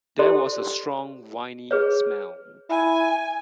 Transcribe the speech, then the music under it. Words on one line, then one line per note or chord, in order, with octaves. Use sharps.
There was a strong, winey smell.
E4 G4 A4 C5 D5 C6
G#4 B4 C#5
E4 G#5